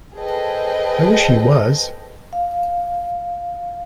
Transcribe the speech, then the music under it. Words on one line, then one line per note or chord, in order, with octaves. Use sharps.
I wish he was!
G#4 A4 B4 C5 D#5 G5
F5